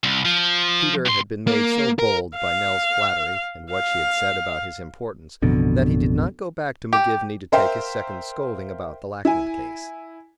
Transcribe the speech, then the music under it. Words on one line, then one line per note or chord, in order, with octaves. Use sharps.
Peter had been made so bold by Nell's flattery and what she had said about his importance, that he did not go back to McGivney to take his second scolding about the Lackman case.
C2
F3
C2 C6
A#3
A#4
F5
F5
A1 F2 B2 D3
G4
A#4 C5 E5 F5 G5
E4 G#5